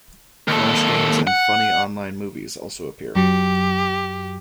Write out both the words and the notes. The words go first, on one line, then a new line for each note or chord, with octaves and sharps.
Flash games and funny online movies also appear.
D#2 A4
F#5
F#2 F#3 G4